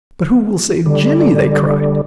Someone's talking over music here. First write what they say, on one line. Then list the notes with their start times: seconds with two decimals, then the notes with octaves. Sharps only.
"But who will save Jimmie?" they cried.
0.86 D3 G3